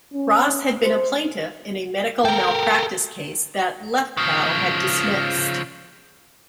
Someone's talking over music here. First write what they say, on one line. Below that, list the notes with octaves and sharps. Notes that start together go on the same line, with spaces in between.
Ross had been a plaintiff in a medical malpractice case that Lefkow had dismissed.
C#4
C5
A4 A#4 G5
C#3 F3